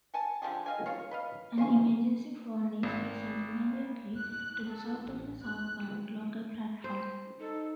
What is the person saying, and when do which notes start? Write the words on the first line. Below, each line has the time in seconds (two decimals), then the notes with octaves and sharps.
An emergency phone is present immediately to the south of the southbound local platform.
0.14 F#5 G#5 A5
0.42 D3 F3 G4 G#4
0.66 D#5 F5 G#5
0.86 F4 C#5 F5
1.11 B4 D#5 F5
1.58 C5 F5 G#5 C#6
2.83 G#1
4.15 F#6
4.69 A4
5.07 A1
5.43 F#6
6.84 C5
7.40 D#4 A4